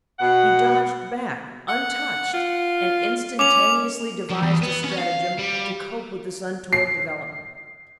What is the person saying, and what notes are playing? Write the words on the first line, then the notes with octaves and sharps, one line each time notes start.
He dodged back, untouched, and instantaneously devised a stratagem to cope with this untoward development.
B2 F#5
F#5
F4
C#4 D6 F7
F3
E2
B3
C#4
F5
G3
C7